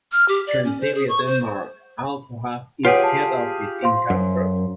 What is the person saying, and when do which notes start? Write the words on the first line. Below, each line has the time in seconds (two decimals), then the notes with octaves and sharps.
Transavia Denmark also has its head office in Kastrup.
0.12 F6
0.28 G4
0.47 D5
0.64 C#4
0.80 C5
0.95 G#4
1.09 C#6
1.26 C5
2.85 F4 G4 G#4 B4 C#5 F#5
3.03 A5
3.82 C5 F5 C6
4.10 F#2